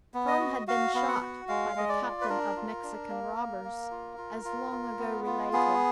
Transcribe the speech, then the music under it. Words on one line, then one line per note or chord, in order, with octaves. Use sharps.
Firm had been shot by the captain of Mexican robbers, as long ago related.
B3
D#5
F#4
F#4 F5
B3 F5
F#5
F#4
G#3 F5
G#3 D#5
D5
F4
B4
D4 A#4
F4
D4
A#3
A#3
A#3
F4
F4
F4
F4
B3
F4
B3 G#4